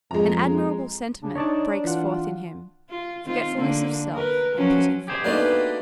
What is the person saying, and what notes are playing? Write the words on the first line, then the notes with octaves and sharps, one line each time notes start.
An admirable sentiment breaks forth in him, forgetfulness of self and pity for all.
F2 G#3 A#5
C#3 D4
D4 D#4 C#5 D5 A5
E3 F4 F#5
F4
D#3 C4 F4
D3 A#3
A#4 B4
F3 F#3 C#4
G4 G#4 C5
B2 A3 A#3 D4 D#4 B4 D5